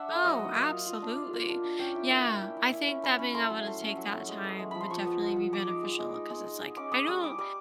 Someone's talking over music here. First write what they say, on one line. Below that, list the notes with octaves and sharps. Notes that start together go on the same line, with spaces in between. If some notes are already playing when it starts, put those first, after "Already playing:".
Oh, absolutely! Yeah, I think that being able to take that time would definitely be beneficial, 'cause it's like, I don't
Already playing: D4 E5 F#5
A3
F#3 D#5
F#3
A#3 F5
F4
F4
D4
F4
A#3
D4
D4
C#4 G5
E4
A#3
A#3
E4
E4
E4
C#4
C#4 B5
C#4
A3 C6
F#3
A3
C#4
F#3
A3
G#3
B3
G#3
F3 B5
C6
F3 C#6
B3
G#3
F3
G#3 D6
D#4
G#3
G#3
D#4
G#3
D#4
G#3
C#4 D6
C#4 D#6
G3 D#6
G3 D6
G3 D6